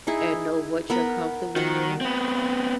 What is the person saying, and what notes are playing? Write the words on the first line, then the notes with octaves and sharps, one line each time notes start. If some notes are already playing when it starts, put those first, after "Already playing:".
and know what you're comfortable with,
D#4 E4 G#4
B3 A#4 B5
D#3 F#4 F#5
B3 C4